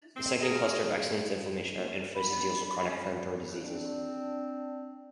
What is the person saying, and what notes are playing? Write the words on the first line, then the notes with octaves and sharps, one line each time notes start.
The second Cluster of Excellence "Inflammation at Interfaces" deals with chronic inflammatory diseases.
C4
G#4 A#4
B5
C4 D4